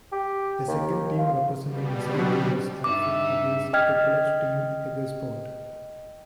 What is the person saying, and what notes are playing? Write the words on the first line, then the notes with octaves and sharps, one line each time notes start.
The second team representing Maserati was Alfrid Heger's Triple H Team Hegersport.
G4
D#2
F4
B2 G3
D3 F#3
G2 D#4 E5 D6
D#5 G5 F6 G#6 B6